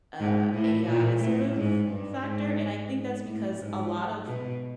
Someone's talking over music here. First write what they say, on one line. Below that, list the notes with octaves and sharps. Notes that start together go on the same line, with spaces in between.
uh, AI sort of factor, and I think that's because a lot of
G#2
A2
A#2
A2
G#2
G2
G#2
A2
G#2
B2